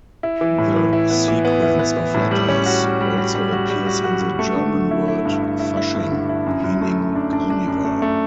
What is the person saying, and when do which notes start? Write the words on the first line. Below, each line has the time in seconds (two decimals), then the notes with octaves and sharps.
The sequence of letters also appears in the German word Fasching, meaning carnival.
0.23 E4
0.41 E3
0.58 A2
0.76 E3
0.93 E4
1.10 B3
1.28 E3
1.45 B3
1.62 E4
1.79 B3
1.97 E3
2.14 A2
2.31 G3
2.48 C#4
2.66 F#4
2.83 G3
3.01 G3
3.18 F#4
3.35 G3
3.53 F#4
3.70 G3
3.87 F#4
4.04 F#4
4.22 F#4
4.39 A3
4.56 D3
4.74 D3
4.91 E4
5.08 E4
5.25 G2
5.43 E4
5.60 E4
5.77 E4
5.95 G2
6.12 D3
6.29 E4
6.46 F#2
6.64 F#2
6.81 A3
6.99 F#2
7.16 D4
7.33 D4
7.50 D4
7.68 F#2
7.85 A3
8.02 A3